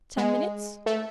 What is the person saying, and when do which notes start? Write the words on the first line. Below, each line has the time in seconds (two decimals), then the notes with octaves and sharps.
Ten minutes?
0.17 G#3
0.86 A3